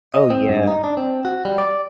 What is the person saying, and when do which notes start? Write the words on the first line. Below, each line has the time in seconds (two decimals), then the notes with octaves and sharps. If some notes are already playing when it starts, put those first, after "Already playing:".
Oh, yeah.
0.14 D#5
0.30 C4
0.49 G2
0.67 D#4
0.84 D4
0.97 C4
1.25 F#4
1.45 G3
1.58 D5